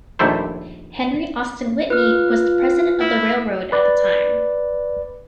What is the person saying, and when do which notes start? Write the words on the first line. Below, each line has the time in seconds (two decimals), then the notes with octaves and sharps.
Henry Austin Whitney was the president of the railroad at the time.
0.19 A#1 D#2 G3 A3 E4 C5
1.90 F4 B4 F6
3.00 E4
3.72 B4 D5